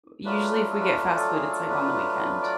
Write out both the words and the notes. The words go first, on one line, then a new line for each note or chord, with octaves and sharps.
usually, if we get fast food, it's like on the weekend.
F#3 A3 D4 F4 B4
B4
A4
B4
B4
A4
G#4
A4
B4
D5